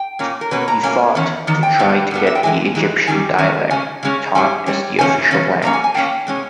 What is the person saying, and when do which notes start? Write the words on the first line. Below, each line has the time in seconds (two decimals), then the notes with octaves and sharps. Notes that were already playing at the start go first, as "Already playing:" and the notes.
He fought to try to get the Egyptian dialect taught as the official language.
Already playing: G5
0.19 A#2 A#3 C#4
0.41 A#4
0.51 B2 A#3 C#4 B4
0.68 A#5
0.83 B2 A#3 C#4 G#5
1.15 E2 D#3 C#4
1.47 E2 D#3
1.63 G5
1.79 G2 G3 B3
2.11 G2 G3 B3
2.27 E5
2.35 G5
2.43 G#2 E3 G#3 G#5
2.75 G#2 E3 G#3
3.07 E2 D#3 G3 C#4 G#5
3.38 E2 D#3 C#4
3.71 C#3 G#3 C#4 G#5
4.03 C#3 G#3 C#4
4.35 G#2 G3 C#4 G#5
4.66 G#2 G3 C#4
4.99 E2 C#3 C#4 G#5
5.31 E2 C#3 C#4
5.62 A#2 A#3 C#4 A#5
5.73 G#5
5.84 G#5
5.94 A#2 A#3 C#4 G5
6.27 B2 G#3 C#4